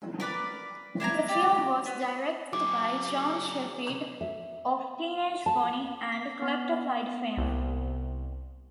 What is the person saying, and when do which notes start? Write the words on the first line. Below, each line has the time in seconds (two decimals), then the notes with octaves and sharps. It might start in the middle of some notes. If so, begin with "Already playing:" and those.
The film was directed by John Shepphird of Teenage Bonnie and Klepto Clyde fame.
0.20 A#4 B4 D5 B5
1.00 D4 E4 G#5 A#5
1.29 G4 D5
1.86 B3
2.53 F#3 G#4 D6
4.21 E5
5.46 A5
6.12 B6
6.42 B3
7.37 C2